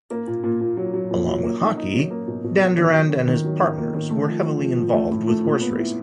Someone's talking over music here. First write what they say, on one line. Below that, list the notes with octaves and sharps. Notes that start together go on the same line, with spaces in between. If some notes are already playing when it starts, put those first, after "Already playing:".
Along with hockey, Dandurand and his partners were heavily involved with horse racing.
A#3
A#2
A#2
A#2
F#3
F#3
A#2
F#3
A#3
D#4
D#4
F#3
A#3
B2
B2
F#3
D#3
F#3
D#3
D#3
F#3
D#3
A#3
D#3
A3
F3
F3
F3
F3
A3
A2
A3
A#2
B3
E4